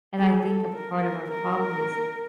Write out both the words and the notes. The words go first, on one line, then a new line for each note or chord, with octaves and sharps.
and I think a part of our problem is
G#4
A4
A#4
A#4
A#4